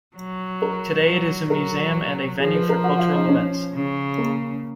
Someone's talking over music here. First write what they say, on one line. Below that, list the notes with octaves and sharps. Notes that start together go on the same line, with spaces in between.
Today, it is a museum and a venue for cultural events.
F#3
A#4
F#3
F#3 A#4
F3 G#4
B4
A#4
F#4
F4
D#4
C#4
C#3
A#3